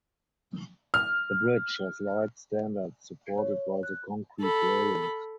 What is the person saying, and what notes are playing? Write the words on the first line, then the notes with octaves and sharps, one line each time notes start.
The bridge has light standards supported by the concrete railings.
F6
C#5
F#6
A4 B5